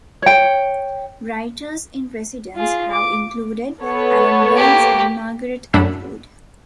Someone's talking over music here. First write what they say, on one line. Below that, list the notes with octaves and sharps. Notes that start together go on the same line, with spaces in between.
Writers-in-residence have included Alan Burns and Margaret Attwood.
C#5 G5
F4 G#4
D6
B3 A4 C#5
A#3 G4
F#2 A2 D4 F#5 B5 E6